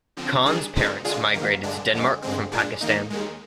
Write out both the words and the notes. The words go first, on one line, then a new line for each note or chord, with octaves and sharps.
Khan's parents migrated to Denmark from Pakistan.
D3 F3 C4
D#3 G3 D4 G#4
D3 F3 G#3 C4 D#4
D3 G#3 D4 F4 G#4
G#2 D#3 A#3
G2 D3 G#3 D4
F2 D3 G#3
G2 D3 G#3 C4
A#2 G#3 D4
D#2 D#3 A#3 D#4
D#2 D#3 G#3